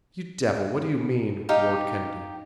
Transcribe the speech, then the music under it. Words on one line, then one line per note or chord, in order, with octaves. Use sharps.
"You devil, what do you mean?" roared Kennedy.
D#4 G4 F5 G5